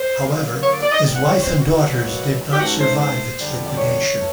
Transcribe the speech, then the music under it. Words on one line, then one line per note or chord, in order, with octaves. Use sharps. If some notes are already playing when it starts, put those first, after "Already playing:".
However, his wife and daughters did not survive its liquidation.
Already playing: C5
D3 F#3 A#3
C#5
D5
D5
D#5
A2 E3 G3
F#5
C#5
C5
F#4
B2 F#3 A#3
G4
G#2 E3 A3 C#4 F#4
C5
C5
F2 D3 G3
D5
C#5
E3 A3